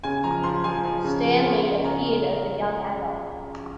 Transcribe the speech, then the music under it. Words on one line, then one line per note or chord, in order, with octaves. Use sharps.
Stanley appeared as a young adult.
C#3 G#5
F3 A#5
F3 C6
F3 G#5
F3
C#3
F3
C#3
C#3
C#3 A#5